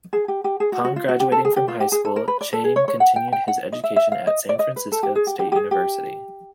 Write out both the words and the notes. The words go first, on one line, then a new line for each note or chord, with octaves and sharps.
Upon graduating from high school, Chang continued his education at San Francisco State University.
G#4
G4
G4
G#4
F#4
F#4
F4
F#4
G4
A4
G#4
G4
F4
G4
G#4
A4
A#4
B4
D5
A4
G#4
C#5
C#5
F#5
G5
G5
F#5
D#5
E5
E5
F5
D#5
D5
D#5
B4
A4
G4
G#4
G4
G4
G4
G#4
G4